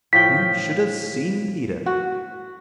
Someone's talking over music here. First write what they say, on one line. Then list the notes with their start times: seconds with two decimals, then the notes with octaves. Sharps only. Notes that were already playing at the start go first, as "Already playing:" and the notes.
You should have seen Peter.
0.13 A2 F3 G5 B6
1.86 F#4